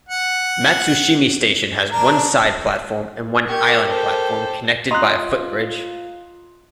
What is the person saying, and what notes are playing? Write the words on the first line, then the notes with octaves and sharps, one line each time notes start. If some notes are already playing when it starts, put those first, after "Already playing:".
Matsushima Station has one side platform and one island platform connected by a footbridge.
F#5
D4 A#4
G4 A#4 C#6 G#6
A4 C5
F4 D#5 A#5 C6 D#6 F#6